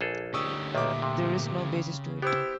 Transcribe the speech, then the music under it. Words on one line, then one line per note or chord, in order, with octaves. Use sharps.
There is no basis to it.
A#1 G#4 A4
D2 C#4 D#4 G4 C#6 D#6 E6
B1 A#2 D#3 E5 D6
C3
C#3
B3 E4 G4 C5 E6